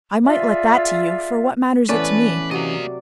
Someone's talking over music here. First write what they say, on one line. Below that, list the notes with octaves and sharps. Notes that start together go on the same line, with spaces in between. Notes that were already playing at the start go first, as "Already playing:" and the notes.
I might let that to you, for what matters it to me?
F4 G#4 D5 E5
E3 A3 B3 C#4 B4 D5
C3 F#3 A#3 D#5